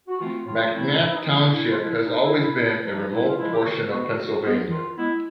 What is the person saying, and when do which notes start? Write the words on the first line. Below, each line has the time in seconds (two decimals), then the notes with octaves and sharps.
McNett Township has always been a remote portion of Pennsylvania.
0.08 F#4
0.19 E3 A3 C4 F4
0.45 A2 F4
0.73 E3 A3 C4 E4
0.98 A2 D#4
1.07 E4
1.15 D#4
1.25 E3 A3 C4 E4
1.51 A#2 E4
1.70 F4
1.78 F3 G#3 E4
2.04 A#2 D#4
2.23 E4
2.31 F3 G#3
2.40 E4
2.58 A#2 E4
2.84 F3 G#3 D#4
3.10 A#2 E4
3.26 F4
3.37 F3 G#3 E4
3.53 G4
3.64 D#3 F#4
3.90 G#3 B3 F#4
4.17 D#3
4.43 G#3 B3
4.69 D#3 F4
4.96 G#3 B3 E4